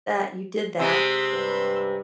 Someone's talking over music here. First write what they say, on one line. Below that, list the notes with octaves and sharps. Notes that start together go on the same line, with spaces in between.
that you did that,
C3 G#3 C6 E6
G2 B4